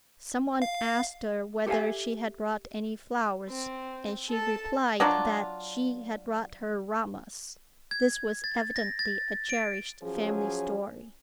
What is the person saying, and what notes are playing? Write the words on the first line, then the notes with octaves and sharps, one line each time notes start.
Some one asked her whether she had brought any flowers, and she replied that she had brought her "ramas." This was evidently a cherished family story.
F5
G4 A4 C5 E5 F5 G#5
C4
A4 A5
F#3 D4 F4
G#6
A6
A#6
A6
D7
F3 F#3 C#4 G#4